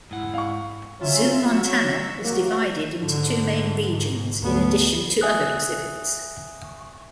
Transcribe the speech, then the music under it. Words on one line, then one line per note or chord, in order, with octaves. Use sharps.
ZooMontana is divided into two main "regions" in addition to other exhibits.
G#2 E4 F#5
F5 C#6
F#3 C#4 F4 E5
F#3 C#6 E6
F#2 C3 F#3 A#3 F#4
G#2 D3
G#2
D2 B3
E5 G#5 D#6 F#6